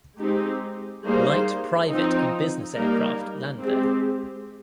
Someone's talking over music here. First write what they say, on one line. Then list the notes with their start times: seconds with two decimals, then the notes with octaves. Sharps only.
Light private and business aircraft land there.
0.19 G#3 C4 D#4 G4
1.04 G3 A#3 D#4 G#4 C5
1.90 F3 C4 D#4
2.75 G3 A#3 D#4 A#4
3.62 G#3 C4 G4